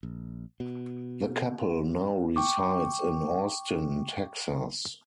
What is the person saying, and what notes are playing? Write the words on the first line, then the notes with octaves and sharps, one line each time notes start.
The couple now resides in Austin, Texas.
A#1
B2
G5 C#6 D6